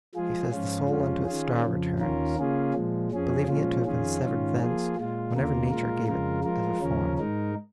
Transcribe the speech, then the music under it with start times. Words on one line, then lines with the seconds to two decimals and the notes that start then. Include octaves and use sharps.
He says the soul unto its star returns, Believing it to have been severed thence Whenever nature gave it as a form.
0.14 F3 G#3 F4 G#4
0.51 G#2 F3 C#4 F4
0.88 F2 F3 G#3 C#4 F4
1.25 D#3 C#4 F4 G#4
1.62 F2 C#3 F3
1.99 D#2 D#3 C#4 F4 A#4
2.36 C#3 A#3 C#4 F4 G#4
2.74 A#2 F3 G#3
3.11 F2 F3 C#4 G#4
3.47 A#2 F3 G#3 C#4 F4
3.85 F2 D#3 C#4 F4 G#4
4.22 G#2 D#3 C#4 F4
4.58 F3 A#3 F4 G#4
4.96 A#2 G#3 F4
5.33 D#2 C#3 A#3 F4 A#4
5.70 A#2 G#3 F4 A#4
6.07 F2 C#3 G#3 F4 A#4
6.44 F3 G#3 F4 A#4
6.81 D#2 C#3 F3 C#4 A#4
7.17 G#2 G#3 D#4 A#4